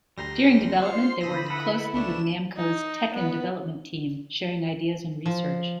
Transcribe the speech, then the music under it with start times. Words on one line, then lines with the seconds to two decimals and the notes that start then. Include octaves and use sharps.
During development they worked closely with Namco's "Tekken" development team, sharing ideas and research.
0.18 D2 G3 G4 A#5 C6 A#6
0.82 F4 C5 C6 F6 C7 C#7
1.21 D3 B3 B5 D#6 E6 A#6
1.50 E4 A4 B4 F#5
1.93 C#2 A3 D4 E7
2.57 D#4
3.14 B3
5.26 F3